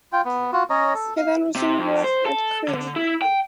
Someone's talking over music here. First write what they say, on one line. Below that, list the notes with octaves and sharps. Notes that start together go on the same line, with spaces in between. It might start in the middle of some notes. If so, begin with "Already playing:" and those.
He then resumed work at Crewe.
F4 G5
B3
F4 F#4
C#4 C#5 D#5 A#5
A4
F5
C3
F2
C5
A4
D3
E4
G5